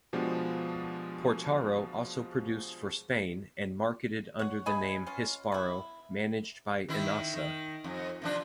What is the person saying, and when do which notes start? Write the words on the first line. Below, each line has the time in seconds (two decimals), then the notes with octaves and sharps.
Portaro also produced for Spain and marketed under the name Hisparo managed by Enasa.
0.13 B2 F3 G#3 B3 D4 G4
4.39 C#5 F#5
4.66 C#3 B4 D#5 G#5
5.07 C#4 F4
5.52 B3 E4
6.89 D#3 E4
7.34 D#3
7.84 F2
8.22 C3 F3 D4